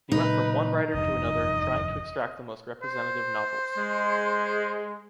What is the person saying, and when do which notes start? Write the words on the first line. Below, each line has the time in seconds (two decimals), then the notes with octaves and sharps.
He went from one writer to another, trying to extract the most representative novels.
0.12 A#2 C#3 F#3 D#4 B4
0.94 F1 E2 G2 D#5
2.82 C5
3.77 G#3